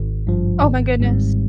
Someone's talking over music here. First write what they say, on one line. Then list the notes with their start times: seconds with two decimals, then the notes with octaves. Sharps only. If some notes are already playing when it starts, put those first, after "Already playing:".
Oh my goodness.
Already playing: G#1
0.27 G2 F3
0.63 G#1
1.00 G#2 G3 C4